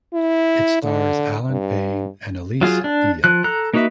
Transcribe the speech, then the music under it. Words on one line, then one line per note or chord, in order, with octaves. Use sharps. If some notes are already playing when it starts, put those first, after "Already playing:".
It stars Allen Payne and Elise Neal.
E4
D3
G2
F#3 F4 G#4
D4
F3 F#6
A4 A#5 F#6
A#3 D#4 F#4 B4 E5